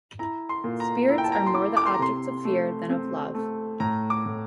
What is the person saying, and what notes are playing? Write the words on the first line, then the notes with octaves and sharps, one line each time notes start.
Spirits are more the objects of fear than of love.
E4 A#5
C6
A#2
A#5
E4 A#5
G5
A5
A#5
C6
E4 D6
D6
C6
A#5
C3 C6
A3
C4
A3
A2 A#5
D6
A2